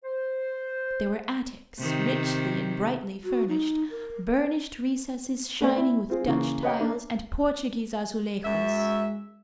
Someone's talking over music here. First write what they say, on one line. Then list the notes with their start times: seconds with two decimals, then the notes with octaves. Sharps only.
There were attics, richly and brightly furnished; burnished recesses shining with Dutch tiles and Portuguese azulejos.
0.04 C5
1.79 C3 D#3
3.24 F#4
3.48 D#4
3.91 A#4
5.61 A3 B3 C4 C5 D5
5.77 E4
6.10 C4 F4 G#4
6.27 C#3 E3 A#3
6.63 B4 C#5 D#5 F#5 G5
6.79 A3 A#3 D4
8.45 F#2 G#3 E5